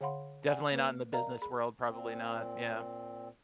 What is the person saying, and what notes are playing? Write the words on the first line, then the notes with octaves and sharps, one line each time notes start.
Definitely not in the business world, probably not, yeah.
D3 C#5 F5 F#5 B5 C6
D5 F#5 G#5
A#3 B4
A#4 D5 D#5 F5 A#5
G#4 B5
A#2 C4